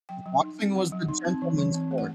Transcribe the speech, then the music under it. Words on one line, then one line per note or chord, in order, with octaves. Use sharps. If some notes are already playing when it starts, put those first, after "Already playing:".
boxing was the gentleman's sport.
F#3 G5
F#3
D#4
C4
F#3 F#5
F#3
D#4
C4
E3
E3
C4
A3
F#5